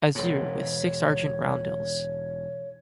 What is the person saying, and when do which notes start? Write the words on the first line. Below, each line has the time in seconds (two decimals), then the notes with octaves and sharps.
Azure with six argent roundels.
0.15 E1 G#2 C#5